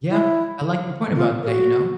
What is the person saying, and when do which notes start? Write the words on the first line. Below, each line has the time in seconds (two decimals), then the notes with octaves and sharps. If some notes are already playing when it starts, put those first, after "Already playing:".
Yeah, I like your point about that, you know?
0.10 E4
1.16 F4
1.43 A#4
1.48 F#4